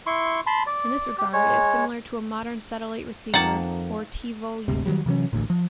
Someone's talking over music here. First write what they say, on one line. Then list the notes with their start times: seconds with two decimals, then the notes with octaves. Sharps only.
In this regard it is similar to a modern satellite receiver or TiVo unit.
0.06 E4 C6 C#6
0.47 A5 B5 C6
0.67 D5
1.18 G4
1.33 G#3 C#5
3.34 F2 D#3 A#3 F#5 A5
4.68 G1 D2 C3
4.86 D#3 F#3 G3
5.06 C3 E3 F#3 C#4
5.33 A1 D2 A2
5.50 F3